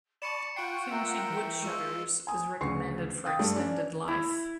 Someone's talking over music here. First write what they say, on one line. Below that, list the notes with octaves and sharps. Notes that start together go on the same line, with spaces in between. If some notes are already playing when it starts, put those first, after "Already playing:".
Finishing wood shutters is recommended for extended life.
D5 A5 B5 C#6 C#7 E7
F4 F#5 G5 C#6 C7 D7
A#4 E5 C#6 E6
E3 G5
G#3 F4 C#6 E6
G#5 D#6
D2 C#3 B4 C#6 C7
F5 G5 D#6 A6
G2 A3 D5
C#4 D4 D5
E4